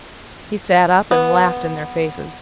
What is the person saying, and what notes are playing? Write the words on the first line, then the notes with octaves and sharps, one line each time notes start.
He sat up and laughed in their faces.
B3